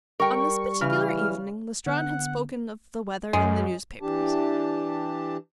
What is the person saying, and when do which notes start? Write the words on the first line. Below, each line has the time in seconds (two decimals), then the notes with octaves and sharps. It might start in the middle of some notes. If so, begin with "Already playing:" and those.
On this particular evening, Lestrade had spoken of the weather and the newspapers.
0.20 G3 A#4 G5 C#6
0.81 C#3 E3 F6
1.86 D3 B3 F#5
3.33 F#2 G#3
4.02 E3 D4 G4 A5